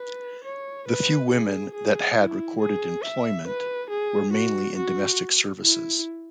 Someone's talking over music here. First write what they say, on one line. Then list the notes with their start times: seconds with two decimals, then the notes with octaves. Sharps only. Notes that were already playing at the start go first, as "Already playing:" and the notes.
The few women that had recorded employment were mainly in domestic services.
Already playing: B4
0.45 C#5
0.88 B4
1.31 G#4
1.75 G#4
2.18 E4
2.61 G#4
3.03 E5
3.48 B4
3.91 G#4
4.33 F#4
4.77 F#4
5.63 E4